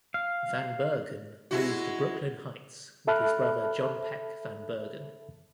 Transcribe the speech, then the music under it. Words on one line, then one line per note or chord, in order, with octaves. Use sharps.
Van Bergen moved to Brooklyn Heights with his brother John Peck Van Bergen.
F5
G#3 E4 F#4
A4 E5 A5 B5 F6 F#6